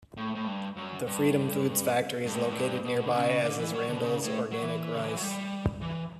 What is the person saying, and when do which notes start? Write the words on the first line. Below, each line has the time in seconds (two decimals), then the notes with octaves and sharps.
The Freedom Foods Factory is located nearby as is Randall's Organic Rice.
0.17 A2
0.35 A2
0.47 G2
0.76 F#2
1.06 G2
2.25 G2
2.34 A2
2.43 G2
2.51 A2
2.60 G2
2.84 B2
3.04 D3
3.14 C#3
3.44 D3
3.59 E3
3.74 F#3
3.88 D3
3.96 B2
4.03 C#3
4.23 A2
4.52 F#3
4.62 E3
4.93 C#3
5.00 D3
5.08 E3
5.15 F#3
5.22 G3
5.81 E3